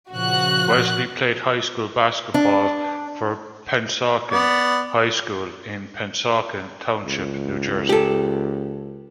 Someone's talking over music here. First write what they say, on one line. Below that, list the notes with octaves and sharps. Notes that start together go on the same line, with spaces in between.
Wesley played high school basketball for Pennsauken High School in Pennsauken Township, New Jersey.
A#2 C#3 F3 F#4 F#6
D4
B3 D5
C#2
G4 A4